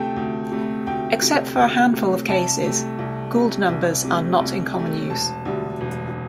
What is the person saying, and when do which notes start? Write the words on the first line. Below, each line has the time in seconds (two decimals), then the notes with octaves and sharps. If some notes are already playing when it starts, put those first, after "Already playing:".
Except for a handful of cases, Gould numbers are not in common use.
Already playing: D2 C3 A3 G5 A5
0.16 D2
0.52 C3 A3
0.87 D2 G5
1.22 C3 A3
1.57 D2
1.93 C3 A3
2.28 C2 A5
2.63 C3 A3
2.99 C2
3.34 C3 A3
3.69 C2
4.04 C3 A3
4.40 C2
4.75 C3 A3
5.10 E1 A5
5.45 D2 D3 G3
5.81 E1